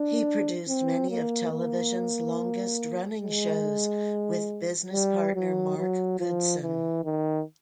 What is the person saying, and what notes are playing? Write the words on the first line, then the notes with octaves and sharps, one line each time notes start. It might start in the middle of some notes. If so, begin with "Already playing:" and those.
He produced many of television's longest running shows with business partner Mark Goodson.
Already playing: D4
C4
A#3
A#3
G#3
G3
F#3
F#3
F3
E3
D#3